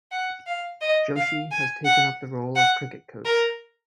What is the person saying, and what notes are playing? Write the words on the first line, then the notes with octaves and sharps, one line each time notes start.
Joshi has taken up the role of cricket coach.
F#5
F5
D#5
F5
G#5
F#5
F#5
A#4